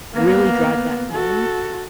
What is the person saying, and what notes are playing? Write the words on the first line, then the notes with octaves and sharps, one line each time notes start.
really drive that home
A#3 B3
F#4 A4